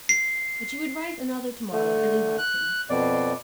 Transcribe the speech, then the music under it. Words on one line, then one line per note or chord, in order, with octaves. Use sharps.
But she would write another to-morrow and invite him.
C7
D3 A3
F#6
F2 B2 D5